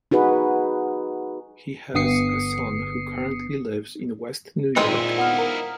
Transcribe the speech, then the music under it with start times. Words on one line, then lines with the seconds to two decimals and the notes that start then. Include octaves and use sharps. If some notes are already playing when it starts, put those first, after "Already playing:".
He has a son who currently lives in West New York.
0.11 D#4 F#4 G#4 B4
1.94 G1 D3 B3 D#6 C7 C#7
4.76 A#2 D#3 G#3 C4 D#4 E4
5.18 B3 F5
5.34 A#4 D#6